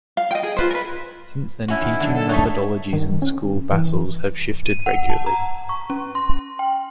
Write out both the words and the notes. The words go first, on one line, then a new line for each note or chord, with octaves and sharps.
Since then, teaching methodologies in school basals have shifted regularly.
F5
D#5 G5
G#4
F4 B4 C5
A#4 B4
C#4 E4 F#4
D#3
D3 F#3
A4
A3 D#4 C#5
D#3
C#4
E3
D#7
F#5
A5
A#5
C#6
C#4
C6
G5